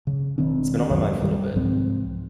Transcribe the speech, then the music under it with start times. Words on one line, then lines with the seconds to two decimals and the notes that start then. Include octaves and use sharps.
it's been on my mind for little bit
0.07 C#3
0.38 E1 D#3 C4 D4
0.90 C2 F#2 D#3
1.20 G2 D#3 G3
1.55 C2 G#2 F3 C4